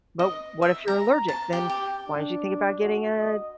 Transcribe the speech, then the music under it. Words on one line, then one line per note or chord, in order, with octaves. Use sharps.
but what if you're allergic, then why don't you think about getting a
D#5
E5
A#5
A5
G4
G4
D4
F#4
D#5